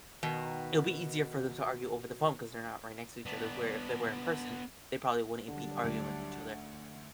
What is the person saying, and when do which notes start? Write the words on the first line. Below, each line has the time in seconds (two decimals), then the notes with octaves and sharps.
it'll be easier for them to argue over the phone 'cause they're not right next to each other, where if they were in person they probably wouldn't be arguing with each other
0.23 B2 D#3
3.26 B3 D4
5.48 D3 F#3 G3 D4
5.84 D2